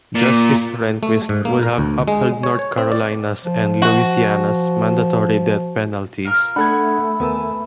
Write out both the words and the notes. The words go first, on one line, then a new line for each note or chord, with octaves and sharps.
Justice Rehnquist would have upheld North Carolina's and Louisiana's mandatory death penalties.
A#2
A3
G#2
A#3
A#4
D2
G#3
C#5
C#5
C4
D5
F3
F#4
F4 A#4 F6
A3 B3 D4 A4 F#5 B5 G#6
D#2 B3 A#4 G#5 A5 E6